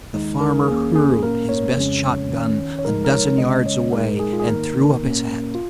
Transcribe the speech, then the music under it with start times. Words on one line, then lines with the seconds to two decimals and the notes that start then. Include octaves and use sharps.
The farmer hurled his best shotgun a dozen yards away and threw up his hat.
0.14 D#2 D#3 G#3 D#4
0.41 A#4
0.68 D#2 D#3 A#3 C#4 G#4
0.96 G#4
1.22 A#2 A#3 C#4 A#4
1.49 C#5
1.76 F2 C#3 G#3 C#4
2.30 D#2 D#3 C#4
2.79 C#5
2.84 C#2 C#3 F3 G#3 D#4 A#4
3.05 A#4
3.12 C#5
3.38 C#3 G#3 C#4 D#5
3.66 C#5
3.93 A#2 G#3 D#4 A#4
4.19 G#4
4.33 F4
4.40 G#4
4.47 G#2 D#3 A#3 D#4 A#4
5.01 A#2 A#3 C#4
5.55 F4